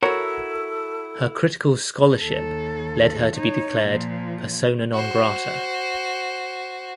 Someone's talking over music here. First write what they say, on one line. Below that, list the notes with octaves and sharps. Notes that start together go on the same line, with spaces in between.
Her critical scholarship led her to be declared "persona non grata".
E4 F#4 A4 A#4 C#5 F#5
D#2 A4
D#4 C#5
A#2 F3
F#4 C5